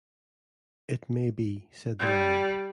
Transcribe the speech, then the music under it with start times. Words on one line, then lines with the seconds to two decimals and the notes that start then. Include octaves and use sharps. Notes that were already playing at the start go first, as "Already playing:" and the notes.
"It may be," said the Lion.
1.99 G3